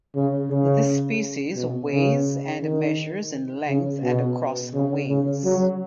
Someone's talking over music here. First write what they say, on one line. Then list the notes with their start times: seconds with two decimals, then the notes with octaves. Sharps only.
This species weighs and measures in length and across the wings.
0.15 C#3
0.50 C#3
1.56 B2
1.91 C#3
2.62 D#3
3.68 C#3
4.03 B2
4.73 C#3
5.09 C#3
5.44 F#3